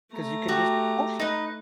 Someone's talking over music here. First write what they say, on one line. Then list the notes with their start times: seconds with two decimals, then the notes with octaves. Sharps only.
'Cause you can just wash it.
0.13 A3 A#5
0.48 F#4 G4
1.20 D#4 B4